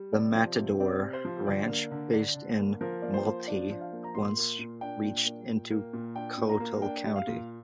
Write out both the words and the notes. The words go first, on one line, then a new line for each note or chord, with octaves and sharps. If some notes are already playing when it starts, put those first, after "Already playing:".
The Matador Ranch, based in Motley once reached into Cottle County.
Already playing: G3
C3 D5
F3
C3
C4 D5
C3
C5
F3
D3 D5
A#3
D3
D4
D3
A#3
F3 A#4
A#3 D5
C5
F3
D4 D5
F3
F5
A#3
A#5
A#2 C6
A#3
A#2
D4 G5
A#2
A#3
A#2
A#3
A#2
D4 G5
A#2
A#5
A#3
D4 G5
G3
F5
A#2